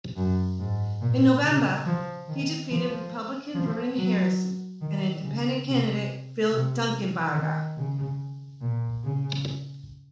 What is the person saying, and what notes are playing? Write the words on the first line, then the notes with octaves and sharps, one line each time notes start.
In November, he defeated Republican Vernon Harrison and Independent Candidate Phil Dunkelbarger.
F#2
G#2
A#2
C#3
F3
D#3
F3
F3
F#3
D#3
C#3
C3
C3
D#3
C#3
A#2
C#3